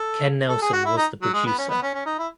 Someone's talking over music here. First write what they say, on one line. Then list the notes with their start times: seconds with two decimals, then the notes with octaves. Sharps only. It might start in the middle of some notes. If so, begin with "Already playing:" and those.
Ken Nelson was the producer.
Already playing: A4
0.49 A4
0.62 G#4
0.73 F#4
0.85 E4
0.97 D#4
1.22 F#3
1.33 G#3
1.46 B3
1.58 C#4
1.69 B3
1.83 C#4
1.94 C#4
2.06 D#4
2.18 E4